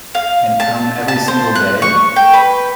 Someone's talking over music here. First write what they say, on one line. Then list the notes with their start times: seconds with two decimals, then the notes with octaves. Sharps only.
And come every single day?
0.15 F5
0.60 A5
1.08 A5
1.28 C5
1.55 F#6
1.82 C#6
2.16 G5
2.33 B4